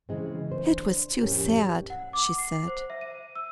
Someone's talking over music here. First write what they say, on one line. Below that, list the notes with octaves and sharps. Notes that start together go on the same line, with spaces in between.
"It was too sad," she said.
C#3 E3 G#3 C4
D4 C5
F2 A2 C#4 G4 A#4
F#5
D6
C7
C5
E5
D#7
E6